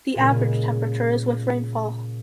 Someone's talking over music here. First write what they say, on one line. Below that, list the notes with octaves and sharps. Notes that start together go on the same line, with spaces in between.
The average temperature is with rainfall.
A#2 C#3 G#3 A#3